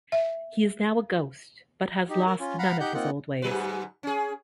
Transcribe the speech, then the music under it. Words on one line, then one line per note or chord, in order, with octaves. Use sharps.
He is now a ghost, but has lost none of his old ways.
E5
D#4 G4
A#4
C#4 F4
F5 F#5 A#5 B5
D#4 G4 F#5 G6
A#3 C4 D#4 F4 F#5
G#2 F#3 B4
C#4 G#4